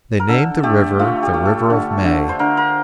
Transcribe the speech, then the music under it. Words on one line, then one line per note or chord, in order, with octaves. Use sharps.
They named the river the River of May.
A#4
D3 A4
A3 G4
A3 F4
G4
A3
A4
D3
D3
C5
D3 A#4
A#4